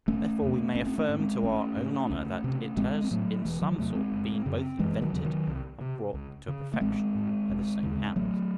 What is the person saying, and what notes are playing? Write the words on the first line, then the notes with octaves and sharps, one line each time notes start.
Therefore we may affirm, to our own honour, that it has in some sort been both invented and brought to a perfection by the same hands.
E1 A3 C#4
E2 C3
G#1 A3 C#4
C4
A3 C#4
G#2
G#3 C4
G#1 A3 C#4
G#2
C#2
C3
A1 G#3 C4
C4
A2 F#3 A3
E1 E3
D#3 F#3
E2 C3 F#3 A3
G#3 C4
F#1
F#2 C#3
F#1 E3 G#3
D#3 F#3
E2 C#3
D#3 F#3
C2
C3
C#2
C#3
A3
A1 G#3 C4
G#2
E1
D#2 C#3
A1 F#3 A3